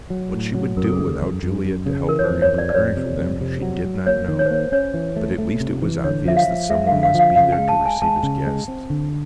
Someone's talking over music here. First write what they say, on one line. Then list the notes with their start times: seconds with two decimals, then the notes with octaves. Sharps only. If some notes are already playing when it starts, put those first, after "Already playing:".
What she would do without Juliet to help her in preparing for them, she did not know, but at least it was obvious that some one must be there to receive his guests.
0.10 F#3
0.33 A2
0.55 F#3
0.77 F#2 A#4
0.84 A4
0.93 G#4
0.99 C#3 A4
1.21 F#2
1.43 F#2
1.65 F#2
1.86 C#3
2.09 E3 A#4
2.19 C#5
2.24 C5
2.30 F2
2.42 C#5
2.53 F2
2.58 D5
2.70 D5
2.75 F2 C#5
2.97 C3
3.19 F2
3.41 C3
3.62 F#3
3.85 F#3
4.06 A#3 C#5
4.28 D#3
4.39 C#5
4.46 C5
4.51 A#3 C#5
4.72 C#4 C#5
4.94 E3
5.16 A3
5.38 A3
5.60 C3
5.82 E3
6.04 D3 C#5
6.26 F3 E5
6.37 F5
6.48 F3
6.70 G#3 E5
6.87 D3 F5
7.03 F5
7.14 F3 F5
7.36 C#3 F5
7.52 G5
7.58 G#3
7.69 A5
7.80 G#3
7.86 G#5
8.02 G#3 A5
8.23 C#3
8.46 G#3
8.68 C4
8.90 D3